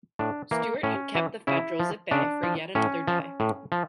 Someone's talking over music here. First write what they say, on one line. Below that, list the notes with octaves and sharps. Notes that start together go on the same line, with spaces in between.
Stuart had kept the Federals at bay for yet another day.
A2 D4
E3 A#3
A2 C#4
E3
C#3 E4
F3
C#3 D4
F3
A2 C#4
F3
A2
F3